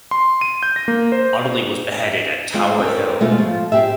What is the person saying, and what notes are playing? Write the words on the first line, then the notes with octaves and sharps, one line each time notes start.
Audley was beheaded at Tower Hill.
C6
D#7
G6
A#6
A#3
C5
G#3 C4 F4
C4 C#4 A4 A#4
B2 G#3 A3 F4 G#4 F5
F3 F4
C4 G4 G#4 E5